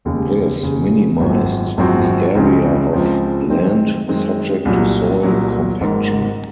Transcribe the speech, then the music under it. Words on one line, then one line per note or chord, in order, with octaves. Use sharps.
This minimized the area of land subject to soil compaction.
F1 D#2 C#3
F1 D#2 C#3
G#1 F#2 F3 C4 F#4
G#1 F#2 F3 C4 F#4
C#2 C#3 F3 C4
C#2 C#3 F3 C4
F#2 D#3 G#3 C4
F#2 D#3 G#3 C4
C2 A#2 F#3
C2 A#2 F#3
G#1 G#2 D#3 A#3